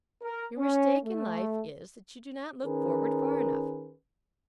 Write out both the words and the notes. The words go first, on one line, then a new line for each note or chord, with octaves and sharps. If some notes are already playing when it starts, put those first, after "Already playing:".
Your mistake in life is, that you do not look forward far enough.
A#4
C#4
A3
D#3 C#4 G#4 A#4 B4